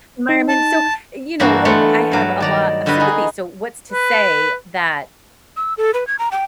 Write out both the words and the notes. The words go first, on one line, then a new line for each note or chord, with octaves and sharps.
environment. So, you know, eh, I have a lot of sympathy. So, what's to say, that
D#4
A5
G2 E3 A#3 D4 F#4
E3 A3 B3 F4 F#5
G2 F#3
D#3 D5 A#5
D3 G3 F#4 B4 D#5
D#4 G#4
B4
E6
A4
B4
G#6
A#5
G5